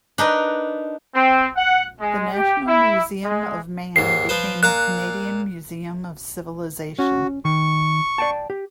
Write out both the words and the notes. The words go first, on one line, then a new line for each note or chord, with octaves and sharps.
The National Museum of Man became the Canadian Museum of Civilization.
D4 D#4 A#4 B4
C4
F#5
G#3
G4
E4
G#3
D#2 G#2 C7
F3 B4 C5
A#2 F5 A#5 F#6
C#4 F#4
D#3 C#6
D5 G5 A5
G4